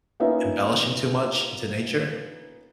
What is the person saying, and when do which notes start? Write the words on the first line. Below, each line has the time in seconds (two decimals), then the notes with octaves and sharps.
embellishing too much into nature?
0.20 A#3 B3 C#4 D#4 F4 E5